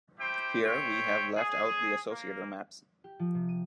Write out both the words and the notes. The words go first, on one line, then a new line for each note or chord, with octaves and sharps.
Here we have left out the associator maps.
E4 G4 C5 G5
C5 C#5 E5 G5
G#4
A#3
G4
F3
C3
D#7